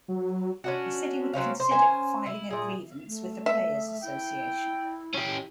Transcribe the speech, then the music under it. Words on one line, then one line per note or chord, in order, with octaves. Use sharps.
He said he would consider filing a grievance with the players association.
F#3
C#4 D4 F#4
F#3 C4 C#4 F5
C5
C#4 C5 G#5
E4
A#2 G#4
A3
E5
E4 G5
C#4 G4